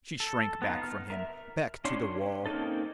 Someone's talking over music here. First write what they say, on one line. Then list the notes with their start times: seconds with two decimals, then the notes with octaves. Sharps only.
She shrank back from him, back to the wall.
0.20 A4
0.62 B3 D#4 F4
0.82 F6
1.10 A#4 E5
1.85 C#4 D4 C#5 C6
2.46 A#3 C4 C#4 D#4 A4